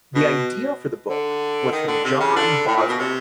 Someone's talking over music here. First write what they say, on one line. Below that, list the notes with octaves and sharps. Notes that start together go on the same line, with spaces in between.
The idea for the books was from John Boswell.
B2
D3
D#3
D3
C3
C#3
D3
A2
A#2
B2
C3